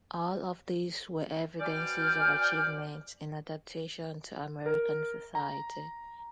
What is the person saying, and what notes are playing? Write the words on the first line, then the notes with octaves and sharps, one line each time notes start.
All of these were evidences of achievements in adaptation to American society.
B2 C4 D5 G#5 F6 G6
A#4
A#5